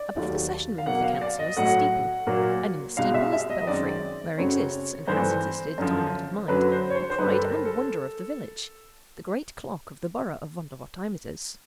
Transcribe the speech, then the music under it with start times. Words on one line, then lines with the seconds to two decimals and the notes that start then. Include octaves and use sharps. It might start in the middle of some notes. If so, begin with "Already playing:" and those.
Above the session-room of the Council is the steeple, and in the steeple is the belfry, where exists, and has existed time out of mind, the pride and wonder of the village--the great clock of the borough of Vondervotteimittiss.
Already playing: D5
0.16 D#2 D#3 F#3 A3
0.78 F5
0.86 B2 F#3 A#3 F#5
1.04 F5
1.21 D5
1.39 D#5
1.56 A2 F#3 A3 F#5
2.27 A#2 F#3 A#3
2.97 C2 B2 G#3 F5
3.14 E5
3.32 E5
3.50 D#5
3.67 F#2 D#3 G#3 C4 D5
4.38 F#2 C#3 F#3 A3 C4 C#5
5.08 G2 E3 A3 C4 C5
5.78 F#2 D3 F3
6.48 F#2 D3 F#3 B4
6.72 C5
6.90 C#5
6.95 C5
7.10 C5
7.18 G2 D3 G3 B4
7.30 A4
7.42 A#4
7.65 A4